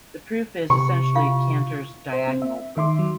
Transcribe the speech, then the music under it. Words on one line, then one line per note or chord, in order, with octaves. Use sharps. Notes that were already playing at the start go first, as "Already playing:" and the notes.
The proof is essentially Cantor's 'diagonal' proof.
C3 C#6
E4 F4 F5
C5
C4
E5
D#3 E5 C6 D6
F#3